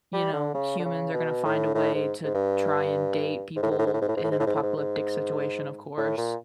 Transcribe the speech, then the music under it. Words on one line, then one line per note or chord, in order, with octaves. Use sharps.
you know, humans are gonna find a way to try and date people in an apocalyptic situation, of course.
G3
D3
C#3
D3
C#3
B2
A2
A2
G#2
G#2
G2
G#2
A2
G#2
A2
G#2
A2
G#2
A2
G#2
A2
G#2
A2
G#2
A2
G#2
G#2
A2
A#2